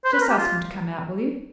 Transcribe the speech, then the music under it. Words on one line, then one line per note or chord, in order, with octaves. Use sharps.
"Just ask him to come out, will you?"
C5
B4
A#4
G4
F4